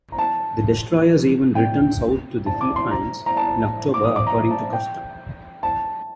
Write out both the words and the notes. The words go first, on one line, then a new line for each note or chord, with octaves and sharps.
The destroyers even returned south to the Philippines in October according to custom.
A#5
A5
G5
A5
D6
C6
A#5
A#5
A5
D6
D#6
D6
A#5
A5
G5
A5